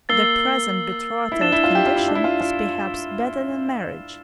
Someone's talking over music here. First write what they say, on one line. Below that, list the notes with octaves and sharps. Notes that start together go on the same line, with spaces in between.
The present betrothed condition is perhaps better than marriage.
A#3 E6 A6 C7 G7
E4
D4 A6 E7 G7
E4
F4
G4
F4
E4
D4
E4
F4
F4